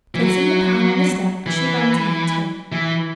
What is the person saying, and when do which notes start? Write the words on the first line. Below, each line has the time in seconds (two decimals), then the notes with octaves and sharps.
Placing the pan on the step, she ran to meet him.
0.15 E3
0.20 F#3
1.46 E3
2.72 E3